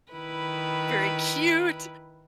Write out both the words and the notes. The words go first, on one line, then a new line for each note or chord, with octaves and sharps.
very cute.
D#3 E4 B4